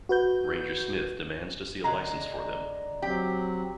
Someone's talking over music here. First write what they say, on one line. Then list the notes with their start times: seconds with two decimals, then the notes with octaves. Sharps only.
Ranger Smith demands to see a license for them.
0.09 F#4 B4 G6
1.84 D3 G#3 D4 A#5
3.02 F#3 C4 G4